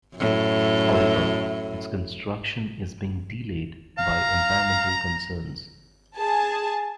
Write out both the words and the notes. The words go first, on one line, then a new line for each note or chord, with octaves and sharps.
However, its construction is being delayed by environmental concerns.
F#2 A2
F5 A#5
G#4 A5